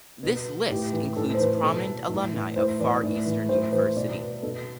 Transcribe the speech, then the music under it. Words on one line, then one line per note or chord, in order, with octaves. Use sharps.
This list includes prominent alumni of Far Eastern University.
B2 B4
A2 G4
E3
A2 A4
C5
E3 B4
B2 A4
A2
E3
A2 C5
E3 D5
A2
E3
A2 C5
E3 C5
B2 D5
B4
B2 A4